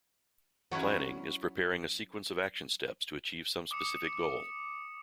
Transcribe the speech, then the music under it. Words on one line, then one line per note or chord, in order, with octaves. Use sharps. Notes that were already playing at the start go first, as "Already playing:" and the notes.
Planning is preparing a sequence of action steps to achieve some specific goal.
F#3 C#4 E4 F#5
D6 D#6 C#7